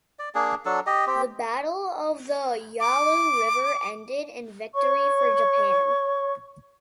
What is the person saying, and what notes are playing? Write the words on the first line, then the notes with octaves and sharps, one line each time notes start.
The Battle of the Yalu River ended in victory for Japan.
D5
A#3 D4 G#4
F#3 D4 A4
G4 D#5
C4 G4
D6
C#5 C#6